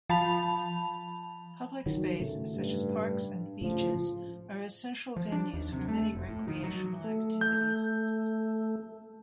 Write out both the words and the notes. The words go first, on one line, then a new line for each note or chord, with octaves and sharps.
Public space such as parks and beaches are essential venues for many recreational activities.
F3 A5 B5 F7
D#3 F#3
A2 C#3 A3
G2
A2 C#3 F3
F3
D4
D#2
C3
A3
F1
A2
D#3
F#3
A3
G6